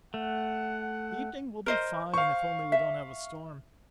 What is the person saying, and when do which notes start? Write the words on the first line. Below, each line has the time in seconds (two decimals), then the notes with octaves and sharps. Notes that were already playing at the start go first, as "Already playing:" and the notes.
The evening will be fine, if only we don't have a storm.
0.14 A3 F#5
1.66 A#4 C5 D#5
2.14 C5 F5 C#6
2.72 E5